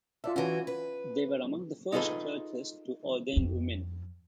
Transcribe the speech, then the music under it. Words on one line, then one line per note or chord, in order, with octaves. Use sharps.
They were among the first churches to ordain women.
F4 A4 D5 E5
E3 C#4 F#4 A5
B4
D#4 F4 G#4 A4 B4 D#5
F2